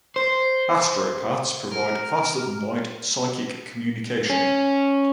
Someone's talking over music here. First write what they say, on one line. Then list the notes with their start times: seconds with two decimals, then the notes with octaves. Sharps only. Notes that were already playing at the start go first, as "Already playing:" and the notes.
Astropaths provide faster-than-light psychic communication.
0.16 C5
1.71 A#4
4.30 C#4